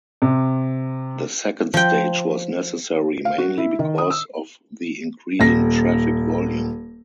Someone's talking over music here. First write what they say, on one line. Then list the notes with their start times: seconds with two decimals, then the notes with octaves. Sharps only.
The second stage was necessary mainly because of the increasing traffic volume.
0.22 C3
1.74 F3 G5
3.25 F5
3.38 F#4
3.57 E4
3.79 D#3
3.98 D#6
4.10 E6
5.40 D#1 A#6